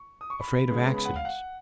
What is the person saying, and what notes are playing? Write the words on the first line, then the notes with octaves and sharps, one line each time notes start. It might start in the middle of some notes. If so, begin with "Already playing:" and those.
Afraid of accidents.
Already playing: C#6
D#6
C#6
B5
C#3 G#3 B3
B5
F#5
F5
F#5